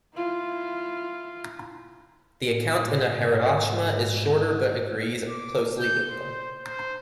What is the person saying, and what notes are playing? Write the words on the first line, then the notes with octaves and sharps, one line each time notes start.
The account in the "Harivamsha" is shorter but agrees closely with them.
E4 F4
A2
G#2
D6
G6
C5
C5